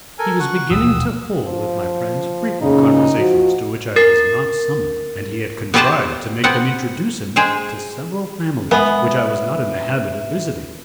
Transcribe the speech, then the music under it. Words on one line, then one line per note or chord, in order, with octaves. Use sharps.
He was beginning to hold with my friends frequent conversations to which I was not summoned, and he had contrived to make them introduce him to several families which I was not in the habit of visiting.
A4 A#4 G#5
F#5 C#6
E1 A#1 D#2 D#6 E6
F3
A#2 C#3 D#4
F3 F#4
A#4 A6 C7
B3 C4 G4 B4 C5 A5
B3 C4 F#5
G#3 G#4 C5 G5
G#3 B3 E5 G#5